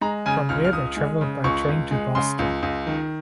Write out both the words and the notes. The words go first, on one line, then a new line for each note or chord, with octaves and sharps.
From there they traveled by train to Boston.
G#3 A#5
C#3 G#5
C#2 F6
F6
C#2 D#6
G#3
C#3
C#2 C#6
C#2
G#3
C#3 C6
C#2
C#2
D#3